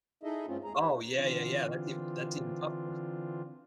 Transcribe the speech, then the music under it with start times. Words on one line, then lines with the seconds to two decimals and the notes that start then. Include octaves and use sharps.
Oh, yeah, yeah, yeah, that's even that's even tougher.
0.23 D#4 E4 G#4 A4 D#5 E5
0.46 G2 A3 C4 C#4 F4
0.64 D#2 G#3 G#4 A#5
0.78 D#4 G4 B4 C5
1.13 D3 E3 C4 D4 F4